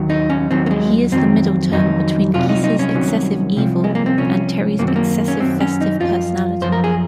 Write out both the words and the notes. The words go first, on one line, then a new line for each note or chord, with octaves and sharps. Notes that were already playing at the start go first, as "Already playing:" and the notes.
He is the middle term between Geese's excessive evil and Terry's excessive festive personality.
Already playing: D#2 D#3 F#3
D#4
C#4
D#2 D#3 F#3 C4
A#3
G#3
F2 D#3 F#3 C4
F2 D#3 F#3 D#4
C2 C3 D#3 F#3 F4
D#4
D#4
C#4
C2 C3 D#3 F#3
C2 C3 F3
G#3
A#3
C4
C2 C3 F3 C#4
F#2 D#3 F#3 A#3
C4
A#3
C#4
F#2 D#3 F#3 C4
C#4
D#4
F#2 F3 F4
F#2 F3 C5
A#4
G#4